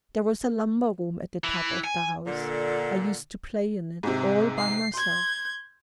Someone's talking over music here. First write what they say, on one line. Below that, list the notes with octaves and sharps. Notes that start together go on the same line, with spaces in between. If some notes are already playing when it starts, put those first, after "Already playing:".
There was a lumber-room at the top of the house; I used to play in it, all by myself.
E3
G#5
A#2 D3
G#2 C3
C7
C6 G6 G#6